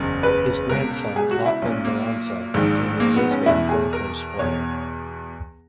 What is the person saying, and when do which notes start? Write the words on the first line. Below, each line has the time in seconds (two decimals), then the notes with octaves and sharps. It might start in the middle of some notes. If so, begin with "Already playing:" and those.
His grandson Lachlan Maranta, became a Brisbane Broncos player.
Already playing: F#1 E2 C#3
0.23 B4
0.69 C#2 B2 A#4
1.16 G#4
1.31 F#4
1.46 E4
1.62 B1 A#2 C#4
1.85 A#3
2.54 A#1 G#2 D#3
3.00 A#3
3.16 B3
3.31 C#4
3.46 E2 B2 E4
3.69 G#4
3.93 A#4
4.39 E2 B2 C#5